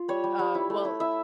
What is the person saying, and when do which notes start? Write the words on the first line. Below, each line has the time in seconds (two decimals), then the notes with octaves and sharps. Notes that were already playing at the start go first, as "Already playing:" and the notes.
Uh, well,
Already playing: F4
0.08 G3 C#5
0.24 G3
0.39 G3
0.55 E4
0.70 A3
0.85 E4
1.00 E4 E5